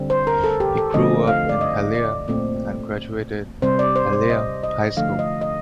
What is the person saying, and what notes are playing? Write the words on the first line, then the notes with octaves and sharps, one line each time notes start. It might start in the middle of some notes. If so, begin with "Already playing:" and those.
He grew up in Hialeah and graduated Hialeah High School.
Already playing: D3 G3 C4
C5
A#4
A4
G4
A4
D3 F3 A3 C4 D#5
F5
D5
D#5
D5
A#2 A3 C4
C3 G3 C4 C5
D5
C5
C5
D#5
D#5
D3 F3 A3 F5
D#5
D#5